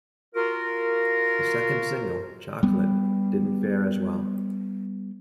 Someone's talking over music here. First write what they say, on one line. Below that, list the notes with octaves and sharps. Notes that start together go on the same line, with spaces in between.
The second single, "Chocolate" didn't fare as well.
F4 F#4 A#4
G3 B3